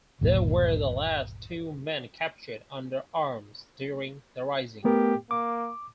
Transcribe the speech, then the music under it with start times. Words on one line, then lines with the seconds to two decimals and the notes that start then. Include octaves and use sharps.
They were the last two men captured under arms during the Rising.
0.21 G1 D#2 A#2 F#3
4.84 A3 B3 G4 A#4
5.31 A#3 D6